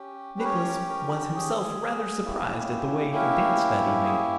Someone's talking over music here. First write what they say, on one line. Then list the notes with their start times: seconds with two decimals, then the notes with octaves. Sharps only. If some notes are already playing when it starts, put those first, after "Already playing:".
Nicholas was himself rather surprised at the way he danced that evening.
Already playing: C#4 G4
0.39 B4
0.44 A#4 C#5
0.89 A#4
1.27 A#4
1.35 G#4
2.24 A#3 C#4 E4 G4
3.15 A#4
4.05 G#4